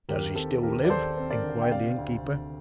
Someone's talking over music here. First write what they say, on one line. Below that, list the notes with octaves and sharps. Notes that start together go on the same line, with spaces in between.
"Does he still live?" inquired the innkeeper.
D#2 G4 A#4
C4 A4
D#2 G4 A#4
D5
D#2 A4 C5
C4
A#4 D5
D3
G5
C3 D5 F5
D2
D2